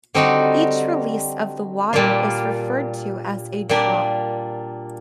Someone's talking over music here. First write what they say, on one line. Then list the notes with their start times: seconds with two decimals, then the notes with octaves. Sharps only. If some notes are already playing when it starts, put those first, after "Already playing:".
Each release of the water is referred to as a drop.
0.14 D3 G3 C4 D#4 F#4
1.93 A#2 G3 A#3 D4 F4
3.69 A#2 G3 A#3 D4 G4